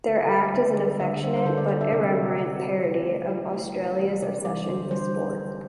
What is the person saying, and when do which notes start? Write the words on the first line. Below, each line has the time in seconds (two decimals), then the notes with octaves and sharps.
Their act is an affectionate but irreverent parody of Australia's obsession with sport.
0.08 D3 E5
0.31 G3 D5
0.45 E5
0.54 D3 D5
0.77 G3 D5
1.00 D3 E5
1.23 G3 C5
1.36 C5
1.46 D3 A4
1.57 D5
1.68 G3 D5
1.81 E5
1.92 C3
2.15 G3
2.38 C3 D5
2.61 G3 C5
2.84 C3 G4
3.07 A3 E4
3.30 C3 E4
3.53 A3 G4
3.76 C3
3.99 E3 G3
4.22 C3 D5
4.45 E3 G3 D5
4.69 D3 C5
4.91 G3 C5